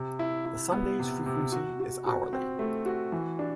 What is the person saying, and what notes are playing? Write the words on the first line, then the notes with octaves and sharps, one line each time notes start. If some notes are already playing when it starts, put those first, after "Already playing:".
The Sundays frequency is hourly.
Already playing: C3
E4
E4
B3
C3
C3
F#4
F#4
F#4
C4
A3
F#4
E3
D4